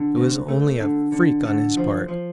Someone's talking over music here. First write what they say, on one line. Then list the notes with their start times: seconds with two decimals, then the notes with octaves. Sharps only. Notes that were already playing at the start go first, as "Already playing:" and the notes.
It was only a freak on his part.
Already playing: D3
0.16 D2
0.48 A3
0.80 D3
1.12 D3
1.45 D3
1.77 F3
2.08 F3